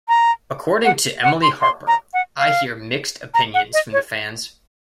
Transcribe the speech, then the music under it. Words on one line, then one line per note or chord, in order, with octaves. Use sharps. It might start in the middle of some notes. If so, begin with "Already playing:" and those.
According to Emily Harper, I hear mixed opinions from the fans.
A#5
F#5
F#5
C6
C6
A#5
F#5
F5
A#5
F#5
D#5
C#5